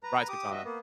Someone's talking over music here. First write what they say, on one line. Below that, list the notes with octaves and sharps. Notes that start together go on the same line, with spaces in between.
The bride's katana.
B4 A#5
G4 D6 D#6
F#4 D#5 E5
A#3 B3